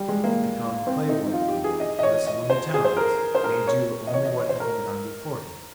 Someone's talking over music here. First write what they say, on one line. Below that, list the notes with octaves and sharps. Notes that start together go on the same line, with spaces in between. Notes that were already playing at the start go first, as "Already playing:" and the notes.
But the common clay-born man, possessing only talents, may do only what has been done before him.
Already playing: G3
G#3
A#3
C4
D#4
D#4
F4
G4
G#4
D#5
D#5
C#5
D#5
C5
G#4
C5
A#4
C5
A#4
C#5
D#5
C#5
D#5
C#5
C5
A#4